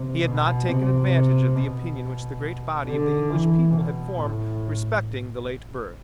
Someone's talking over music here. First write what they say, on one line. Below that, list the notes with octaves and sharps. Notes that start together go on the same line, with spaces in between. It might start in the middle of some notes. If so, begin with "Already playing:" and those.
He had not taken advantage of the opinion which the great body of the English people had formed respecting the late birth.
Already playing: C3
B2
C3
B2
D3
E3
B2
A2